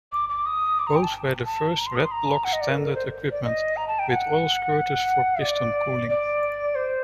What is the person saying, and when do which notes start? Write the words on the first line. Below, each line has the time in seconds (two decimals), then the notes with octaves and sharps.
Both were the first redblocks standard equipped with oil squirters for piston cooling.
0.12 D6
0.29 D6
0.46 D#6
0.79 D6
0.87 A#5
0.96 G5
1.03 A5
1.45 A5
1.78 A#5
1.87 C6
1.95 D#6
2.03 C6
2.12 A#5
2.44 F#5
2.53 D#5
2.61 D5
2.70 A#4
2.78 A4
2.86 A#4
2.95 C5
3.32 D5
3.44 D#5
3.77 A#5
3.88 A5
3.99 G5
4.10 F#5
5.42 D5
6.09 D5
6.75 C5